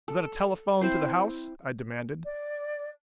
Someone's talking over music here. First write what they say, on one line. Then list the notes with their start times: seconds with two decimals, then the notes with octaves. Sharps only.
"Is that a telephone to the house?" I demanded.
0.08 A4
0.81 C4 E4 C5
2.24 D5